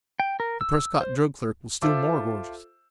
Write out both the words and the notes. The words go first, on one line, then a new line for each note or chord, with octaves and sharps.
The Prescott drug clerk was still more gorgeous.
G5
A#4
E6
C5
F4 A4 C5 E5 D6 E6